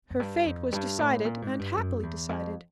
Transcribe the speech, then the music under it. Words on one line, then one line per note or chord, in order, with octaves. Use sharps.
Her fate was decided and happily decided.
F#2
G2
F2
G2
A2
A#2
G#2
G2
F#2
E2
F2